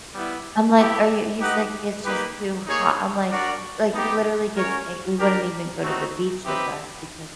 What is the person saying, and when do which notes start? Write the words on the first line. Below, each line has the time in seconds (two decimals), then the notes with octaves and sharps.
I'm like, are you he's like, "It's just too hot." I'm like, like, he literally gets ang we wouldn't even go to the beach with us because
0.13 G3 B3 E4
0.77 B3 E4 G4
1.40 D#4 G4 B4 D#5 F#5
2.04 A#3 D#4 G4 B4
2.66 A#3 D#4 G#4 C#5
3.30 D4 F#4 A#4 D5
3.93 B3 D#4 G4
4.56 C#4 F#4 A#4 C#5
5.19 D4 G4 A#4
5.82 A3 C4 D#4 F#4
6.45 C4 D#4 G4 B4 E5